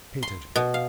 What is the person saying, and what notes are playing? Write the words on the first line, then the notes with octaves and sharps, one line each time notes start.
Pay attention!
C6
B2
F5